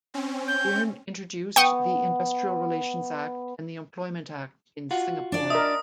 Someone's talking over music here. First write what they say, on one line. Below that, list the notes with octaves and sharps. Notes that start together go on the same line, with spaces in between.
Byrne introduced the Industrial Relations Act and the Employment Act in Singapore.
C4 C#4
G6
B3 G5 C#6 D#6
F4 F#4
D4 D5
A#4 D#5 E5 D#6